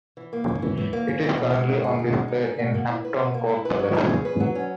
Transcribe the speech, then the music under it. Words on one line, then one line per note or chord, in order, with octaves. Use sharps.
It is currently on display in Hampton Court Palace.
E3
A#3
C#4
E3
E3
A#3
C#4
E3
B2
G#3
D#4
G#4
B2
G#3
D#4
G#4
B2
A#3
E4
B4
B2
A#3
E4
B4
F#3
C#4
G#4
B4
F#3
C#4